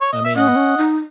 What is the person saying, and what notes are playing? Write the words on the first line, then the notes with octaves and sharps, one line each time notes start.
I mean
C#5
D#5
E5
C#4 D#5 F#5
B3
C#4
D#4